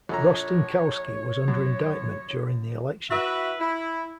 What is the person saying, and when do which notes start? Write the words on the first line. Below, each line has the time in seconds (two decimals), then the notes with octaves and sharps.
Rostenkowski was under indictment during the election.
0.09 A#1 A4 C#5 A#5
1.48 F#2
3.11 E4 F#4 B4 E5
3.60 E4